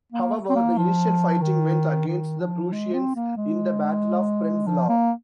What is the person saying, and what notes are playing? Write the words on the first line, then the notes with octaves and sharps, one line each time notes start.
However, the initial fighting went against the Prussians in the Battle of Prenzlau.
A#3
C4
A#3
F3
D#3
D#3
F3
G#3
C4
A#3
G#3
F3
A#3